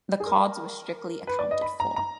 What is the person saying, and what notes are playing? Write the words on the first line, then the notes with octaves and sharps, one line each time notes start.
The cards were strictly accounted for.
G#4
A#4
B4
D5
D#5
B5
A#5
A#5